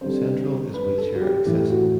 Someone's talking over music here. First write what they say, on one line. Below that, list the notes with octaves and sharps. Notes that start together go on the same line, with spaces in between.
Central is wheelchair accessible.
D3 G3 C4 C5
B4
A4
F#4
G4
A2 E3 A3 G4
F#4